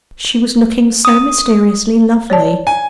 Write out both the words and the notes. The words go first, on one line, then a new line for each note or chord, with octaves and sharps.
She was looking so mysteriously lovely.
D#6
C#5 D5 A5
G#5